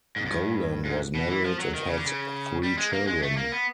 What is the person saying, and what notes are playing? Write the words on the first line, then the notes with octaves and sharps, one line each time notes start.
Golan was married and had three children.
G#2
G2
G#2
B2
E3
F3
F#3
D#3
C#3
D3
C#3
G3
G#3
A#3
G#3
A3
A#3
B3